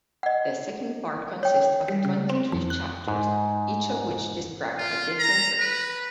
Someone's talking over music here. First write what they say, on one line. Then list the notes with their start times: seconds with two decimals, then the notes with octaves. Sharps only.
The second part conists of twenty-three chapters, each of which describe a different bird.
0.23 D#5 F#5
1.43 C#5 G5
1.88 G3
2.05 C#3
2.29 C4
2.52 F2
2.70 F#6
3.08 G#2
4.78 F4
5.19 A#5
5.59 B4